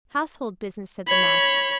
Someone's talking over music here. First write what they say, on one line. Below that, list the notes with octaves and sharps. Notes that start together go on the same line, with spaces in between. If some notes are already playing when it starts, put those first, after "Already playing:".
Household business, said the Master.
C#5 B5